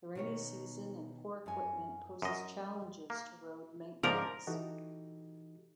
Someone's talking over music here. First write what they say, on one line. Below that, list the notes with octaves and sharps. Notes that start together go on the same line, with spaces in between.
The rainy season and poor equipment pose challenges to road maintenance.
B2 D#3 C#5
F#2 G#5
F#2 D#5
A#3
G#2 F3 A#4 D5
E3 D#4 F#4 G4 A4